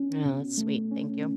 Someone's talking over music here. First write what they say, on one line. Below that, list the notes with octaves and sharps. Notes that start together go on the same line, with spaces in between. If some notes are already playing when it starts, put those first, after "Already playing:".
Oh, that's sweet, thank you.
Already playing: C#4
B2
A3
C#4